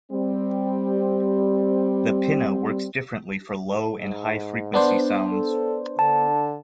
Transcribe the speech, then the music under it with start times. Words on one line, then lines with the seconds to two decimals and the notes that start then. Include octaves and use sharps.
The pinna works differently for low and high frequency sounds.
0.12 G3 C4
3.98 G#2
4.74 B3 D4 C5
5.32 A4
5.99 D3 A5